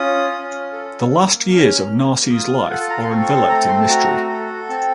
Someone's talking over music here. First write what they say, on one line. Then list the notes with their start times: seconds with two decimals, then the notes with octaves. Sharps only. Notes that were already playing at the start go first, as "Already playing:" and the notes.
The last years of Narses' life are enveloped in mystery.
Already playing: C#4 F4 D#6
0.31 C#4
0.72 A4
1.11 A#3
1.51 C#4 F6
1.90 A#3
2.30 F4 D#6
2.70 A4 F#5
2.80 A5
2.89 A#5
2.99 C6
3.09 C4 C#6
3.22 C#6
3.29 C6
3.49 A3 A#5
3.69 C6
3.79 A5
3.88 F#4 A#5
4.29 A4
4.69 C4 A5